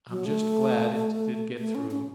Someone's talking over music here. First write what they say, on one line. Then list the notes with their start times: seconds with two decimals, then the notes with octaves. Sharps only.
"I'm just glad it did get through."
0.10 F#3
0.26 A3
1.59 A3
1.75 C#4
1.91 C#4